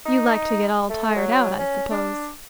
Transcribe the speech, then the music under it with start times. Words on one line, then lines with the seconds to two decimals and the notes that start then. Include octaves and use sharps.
"You like to get all tired out, I suppose."
0.05 D#4
0.90 A3
1.16 F#3
1.59 C#4
1.91 D4